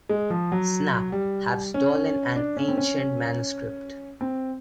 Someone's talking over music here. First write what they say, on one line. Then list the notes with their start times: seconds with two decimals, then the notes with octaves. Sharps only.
Snap, have stolen an ancient manuscript.
0.09 G#3
0.30 F3
0.52 F#3
1.12 G3
1.74 C#4
2.36 D4
2.57 C#4
2.68 C4
2.77 C#4
4.21 C4